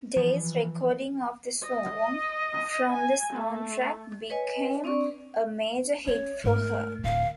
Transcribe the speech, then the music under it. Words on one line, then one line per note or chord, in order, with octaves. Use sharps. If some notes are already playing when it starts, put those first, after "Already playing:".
Day's recording of the song, from the soundtrack, became a major hit for her.
E3 F3
D#5
G#5
A3
B4 C#5 D#5 G#5
C4 D4 D5 C#6
C#4 C#5
G#2 A3 A#4
D1 F5